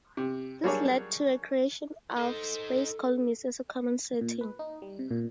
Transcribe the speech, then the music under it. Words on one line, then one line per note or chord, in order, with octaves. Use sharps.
This led to the creation of space colonies as a common setting.
C3
F#3 G3 A#3 D4 G#4 C#5
D#4 A4 C5
A#2
B4
D#4
G3
C3
A#2